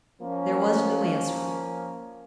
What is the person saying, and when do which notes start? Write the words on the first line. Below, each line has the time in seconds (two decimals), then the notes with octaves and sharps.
There was no answer.
0.22 F3 A#3 C#4